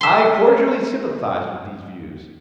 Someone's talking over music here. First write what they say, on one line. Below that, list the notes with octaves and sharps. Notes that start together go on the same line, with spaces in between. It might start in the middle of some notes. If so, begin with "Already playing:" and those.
I cordially sympathized with these views.
E5 C6